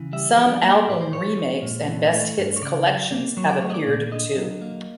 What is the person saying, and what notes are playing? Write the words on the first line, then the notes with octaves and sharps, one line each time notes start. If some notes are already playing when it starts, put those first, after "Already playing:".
Some album remakes and best-hits collections have appeared too.
Already playing: C#3 E3
G3 E5
F3 D5
A#3
C#5
D5
A2 B4
C5
F3 C#5
G#3
A#2
E3
A3
G2
C#5
C#3 D5
F#3
A#3
F#3 C#5
D5
A3 C#5
D#5
D5
A#2
D3 D#5
F#3
A#3